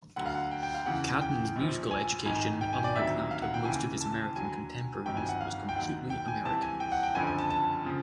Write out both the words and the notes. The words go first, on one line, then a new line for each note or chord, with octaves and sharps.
Cadman's musical education, unlike that of most of his American contemporaries, was completely American.
D2 D3 F#3 F#5
F5
F#5
G5
G5
F5
E2 C#3 E3 F#5
G5
A#1 A#2 F3
G#5
G#1 G#2 D#3 G#5
G5
G#5
D5
D2 C3 D#3 F#3 E5
F5
F#5
G5
D#2 C#3 E3 G#5
A5
A5
D#2 D3 F#3 G#5
G1 F2 C3 D#3 F#3 G5
G#5
F#5
F5
G5
D#2 D#3 F#3 F#5
G5
G#5
C2 C3 E3 A5
G#5
G5
F#5
G5
F#1 F2 D3 F3 G#5
G#5
A5
A5
C#3 F3